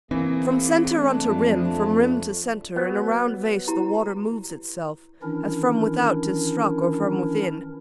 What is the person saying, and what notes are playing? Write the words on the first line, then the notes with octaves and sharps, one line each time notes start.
From centre unto rim, from rim to centre, In a round vase the water moves itself, As from without 'tis struck or from within.
E3 A#3 C4 G#4
A3 D4
F2
F#3 B3
E4 G4 A#5
D#3 E3 C#4 D4 E4 A#4